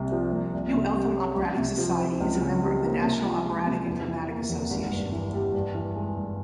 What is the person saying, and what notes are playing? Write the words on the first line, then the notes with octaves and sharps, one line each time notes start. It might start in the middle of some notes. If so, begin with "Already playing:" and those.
New Eltham Operatic Society is a member of the National Operatic and Dramatic Association.
Already playing: C2 C3
F3
C2
C2
C3
G3
C#4
C#2
C3
F3
C4
C#2
C#3
G3
A#3
C3
F3
G#3
C3
E2
E3
A#3
E2
G#1
G2
E3
G3
G2
E3
G#3
G2